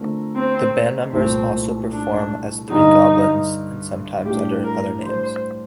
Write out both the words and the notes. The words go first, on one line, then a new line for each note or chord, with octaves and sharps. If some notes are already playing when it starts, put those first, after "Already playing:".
The band members also perform as Thee Goblins and sometimes under other names.
Already playing: D3 A3 C4 F4 A#4
C4
C2 A#2 A3 C4
D4
G2 D3 G3 D#4
A2 G3 D4 G4
A#4
C5